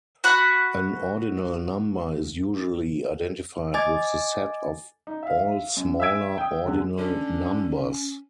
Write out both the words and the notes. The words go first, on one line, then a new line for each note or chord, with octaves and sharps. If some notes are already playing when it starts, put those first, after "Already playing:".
An ordinal number is usually identified with the set of all smaller ordinal numbers.
F#4 F#5 B5
D#5 G#5 D6 G#6 A6
D#4
E5 F5
F#2
E5 G#5 E6 G#6 D7
G5 D#6
E2 D3
D3 C#4